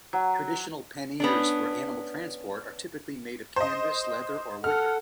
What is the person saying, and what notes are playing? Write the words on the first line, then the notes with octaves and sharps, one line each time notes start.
Traditional panniers for animal transport are typically made of canvas, leather, or wicker.
F#3
B3 C#4 D4
C5 D#5
A4 F#5 F6